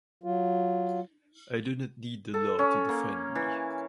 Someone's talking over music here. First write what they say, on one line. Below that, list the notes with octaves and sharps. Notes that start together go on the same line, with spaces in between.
I do not need the law to defend me.
F#3 F4
A4
C#4
A#3
E3